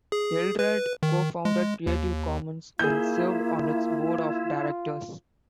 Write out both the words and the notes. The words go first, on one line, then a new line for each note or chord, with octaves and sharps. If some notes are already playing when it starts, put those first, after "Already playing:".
Eldred co-founded Creative Commons and served on its board of directors.
G#4
B4
D#3
G#3
D#2
A#3 E4 F4 G#4 G6